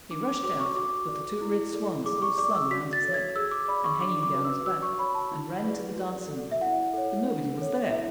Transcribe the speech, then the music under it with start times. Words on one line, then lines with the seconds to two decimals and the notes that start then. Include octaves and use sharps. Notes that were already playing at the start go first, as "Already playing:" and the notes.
He rushed out, with the two red swans still slung round his neck and hanging down his back, and ran to the dancing ring, but nobody was there.
0.11 D4 D6
0.27 D6
0.43 F#4 A4 C#5 D6
0.60 C#6
0.75 F#4 D6
1.09 A4 D5
1.41 E4
1.73 A4 D5
2.05 G#4 D6
2.22 C#6
2.38 D5 D6
2.55 E6
2.70 F#4 B6
2.93 A6
3.03 A4 C#5
3.14 G#6
3.36 G#4 E6
3.51 D6
3.68 D5 B5
3.84 C#6
4.00 D4 D6
4.23 D6
4.33 F#4 B4 D5
4.45 E6
4.65 F#4 E6
4.82 C#6
4.98 C#5 B5
5.15 A5
5.31 E4
5.64 G#4 B4 D5
5.96 F#4
6.28 A4 D5
6.52 E5
6.61 E4 F#5
6.93 A4 C#5
7.26 D4
7.58 A4 C#5
7.90 E4 E5